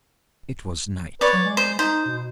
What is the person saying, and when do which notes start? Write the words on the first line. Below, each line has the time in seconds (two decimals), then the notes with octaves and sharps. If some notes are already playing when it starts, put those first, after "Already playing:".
It was night.
1.21 B4 C#5 D5
1.33 F#3
1.45 G#3
1.57 C5
1.79 D#4 C5
2.05 B2